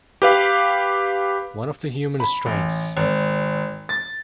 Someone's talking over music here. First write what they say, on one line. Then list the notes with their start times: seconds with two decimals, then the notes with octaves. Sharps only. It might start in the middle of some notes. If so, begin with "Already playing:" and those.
One of the human strains.
0.22 G4 B4 F5
2.20 B5
2.46 A1
2.97 G#1
3.89 A6